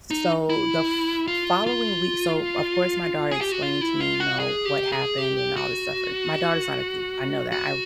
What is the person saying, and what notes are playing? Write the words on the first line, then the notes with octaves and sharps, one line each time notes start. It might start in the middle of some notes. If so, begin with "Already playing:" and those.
So, the f following week so, of course, my daughter explained to me, you know, what happened and all this stuff. My daughter's not a thief, I know that. I
D#4
E4
F4
F4
G#4
G4
F#4
F4
E4
F4
F#4
G#4
G4
G#4
G4
F#4
F#4